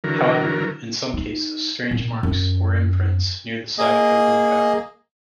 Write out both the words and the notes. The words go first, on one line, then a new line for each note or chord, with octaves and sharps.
However, in some cases, strange marks or imprints near the site have been found.
D3 E3 F#3 A#4
D#4
A#2
F#2
A#3 G#4 D#5